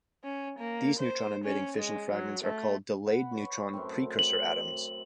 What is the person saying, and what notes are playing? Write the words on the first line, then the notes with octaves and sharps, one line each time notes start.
These neutron-emitting fission fragments are called "delayed neutron precursor atoms".
C#4
A#3
C5
C#4
G#3
F#3
A3
F#5 B5
C#5 C#6
F#2 A2 C4
F#7